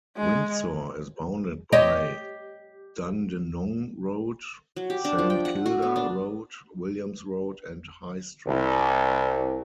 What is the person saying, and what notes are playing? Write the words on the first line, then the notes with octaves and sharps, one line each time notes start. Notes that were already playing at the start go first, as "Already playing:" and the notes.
Windsor is bounded by Dandenong Road, Saint Kilda Road, Williams Road and High Street.
G#3
G4 C#5 D#5
F#3
G4
D4
F3
G5
F#5
F#4
B3
D4
C2